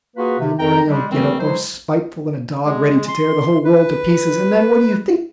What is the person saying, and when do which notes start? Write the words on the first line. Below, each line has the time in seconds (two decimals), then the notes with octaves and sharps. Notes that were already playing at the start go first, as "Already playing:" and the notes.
In the morning I would get up more spiteful than a dog, ready to tear the whole world to pieces. And then what do you think?
0.17 A#3 F4 F#4 G#4 B4
0.39 C3
0.59 F2 A#4 G5 A#5
0.87 G3 G#3
1.10 D#2 D#3 E3 G3 A3 C4
1.39 E3 F#3 G#3 E4 C5
2.66 G#3
3.08 C6
3.65 B4